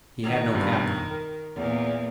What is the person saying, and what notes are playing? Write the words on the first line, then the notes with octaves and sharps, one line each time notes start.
He had no cap on.
D#3
G2 B2
A#4
E2 A#2